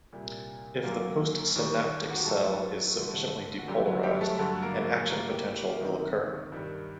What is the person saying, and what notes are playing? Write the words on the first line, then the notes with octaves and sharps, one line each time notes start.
If the postsynaptic cell is sufficiently depolarized, an action potential will occur.
C2 A#2 G3
F#2 D3 F#3 A#3 A#4
D#2 D#3 G3
F#4
G4
A2 F#3 A3 A4
G2 D3 G3
F#4
F#2 D3 F#3 G3 G4
F#3 F#4
G3 G4
A3 A4
G2 D3 F#3 A3 A4
A#3 A#4
A2 G3 A#3 A#4
G3 G4
G3 G4
C2 C3 D#3 G3 D#4
G2 D#3 G3